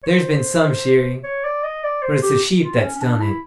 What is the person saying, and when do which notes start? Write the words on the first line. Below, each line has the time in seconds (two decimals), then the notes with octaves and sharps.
There's been some shearing, but it's the sheep that's done it.
0.03 C#5
0.07 C5
1.24 C#5
1.44 D5
1.63 D#5
1.83 D5
2.02 C5
2.22 G4
2.61 F4
2.80 C#4
2.96 C#4
3.01 D4
3.20 E4